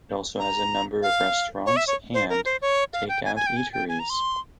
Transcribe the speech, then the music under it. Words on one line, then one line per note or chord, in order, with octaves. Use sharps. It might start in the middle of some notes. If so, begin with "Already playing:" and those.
It also has a number of restaurants and take-out eateries.
A#5
F5
C#5
E5
C#5
C5
A#4
C5
C#5
F5
G5
G#5
G#5
G5
G#5
G5
G#5
A#5
C6